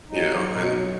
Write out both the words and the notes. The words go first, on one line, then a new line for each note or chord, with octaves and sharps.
you know, and
F#3 D#4
F#3
B2 D#4
F#3